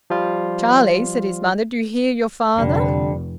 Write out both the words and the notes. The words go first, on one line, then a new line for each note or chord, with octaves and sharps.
"Charlie," said his mother, "do you hear your father?"
F3 G3 F4
F1 D3 G3